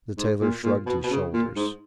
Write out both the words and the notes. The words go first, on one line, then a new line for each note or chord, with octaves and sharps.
The tailor shrugged his shoulders.
G#2
A#2
A#2
B2
B2
C#3
A#2
G#2